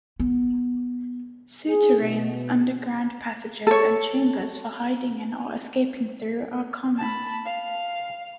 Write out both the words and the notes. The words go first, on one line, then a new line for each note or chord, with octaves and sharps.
Souterrains, underground passages and chambers for hiding in or escaping through, are common.
B3
G#4
B2
A4 C#5
A5 B5
F5